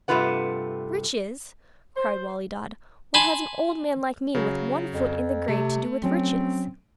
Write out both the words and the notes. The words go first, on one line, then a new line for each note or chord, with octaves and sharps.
'Riches!' cried Wali Dad, 'what has an old man like me with one foot in the grave to do with riches?
G2 C3 A3 F4 B4 F#5
C5
G#5 A5 B5 C6
C#3 F#3
F2
C3 A3
F#3 C4 C#4